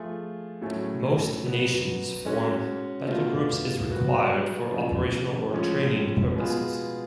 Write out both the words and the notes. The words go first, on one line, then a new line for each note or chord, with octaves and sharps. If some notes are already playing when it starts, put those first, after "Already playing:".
Most nations form battlegroups as required for operational or training purposes.
Already playing: F3 A3 F4 G#4
A2 F#3 A3 C#4 G#4
B2 F#3 B3 F#4
G#3 C#4 F#4
B2 A3 F4
F#3 B3 F#4
C#3 F3 A3
A2 F3 G#3 C#4
B2 G#3 B3 F4 G#4